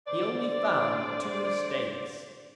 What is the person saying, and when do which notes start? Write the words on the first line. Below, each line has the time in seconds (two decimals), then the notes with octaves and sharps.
He only found two mistakes.
0.07 D3 C5 D5